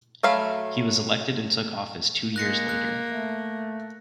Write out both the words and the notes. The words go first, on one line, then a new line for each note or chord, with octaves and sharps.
He was elected and took office two years later.
F#3 A3 F5 B5
G#3 A#3 F#6 A#6 C#7
F#6
A3